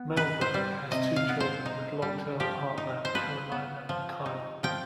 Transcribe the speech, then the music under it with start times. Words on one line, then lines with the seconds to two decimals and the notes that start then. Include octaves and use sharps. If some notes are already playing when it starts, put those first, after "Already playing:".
Mellberg has two children with long term partner Carolina Kihl.
Already playing: B3
0.16 D#4 B4
0.41 C5
0.54 G3
0.91 C3 D#5
1.16 F5
1.29 B3
1.40 C5
1.66 D#4
2.02 G3
2.40 F3 G4
2.78 D#4
3.05 C5
3.15 F3 B4
3.52 B3
3.89 F3
4.26 D#4
4.63 F3 G5